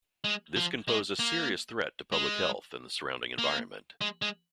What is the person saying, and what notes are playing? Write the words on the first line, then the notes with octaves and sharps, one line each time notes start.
This can pose a serious threat to public health and the surrounding environment.
G#3
F3
G#3
A#3
G#3
A#3
G#3
G#3